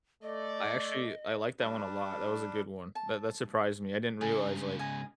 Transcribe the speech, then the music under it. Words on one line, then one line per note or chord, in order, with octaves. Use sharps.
I actually, I like that one a lot, that was a good one, that that surprised me. I didn't realize, like,
A3 D5 D#5
G3 D4
A5
G#2 C#3 G#4
D#5 G#5